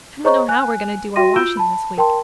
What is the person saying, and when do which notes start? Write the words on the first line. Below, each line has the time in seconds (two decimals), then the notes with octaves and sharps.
I don't know how we are going to do our washing this week.
0.24 G#4 C5 C#5 D#5 A#5 C#6
0.48 G#5 F#6
1.16 F#4 E5 G5 C6 A#6 D#7
1.36 F4 E6 G6 D7 E7 G7
1.57 A5 B5
1.98 A#4 G5 A5 C6